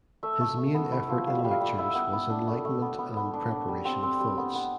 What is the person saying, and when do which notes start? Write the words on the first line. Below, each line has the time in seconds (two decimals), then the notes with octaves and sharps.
His main effort in lectures was enlightenment and preparation of thoughts.
0.23 A3 E5
0.41 A3
0.58 A3
0.74 B3
0.92 E4
1.10 F3
1.27 G3 F5
1.38 E5
1.44 G3
1.51 F5
1.60 G3
1.78 E4 E5
1.95 B3
2.13 B3
2.30 D4
2.47 A3
2.65 A3
2.82 B3
2.98 B3
3.17 B3
3.34 D4
3.51 D4
3.68 G3
3.85 C4 G5
4.03 C4
4.20 G3
4.38 B3
4.55 B3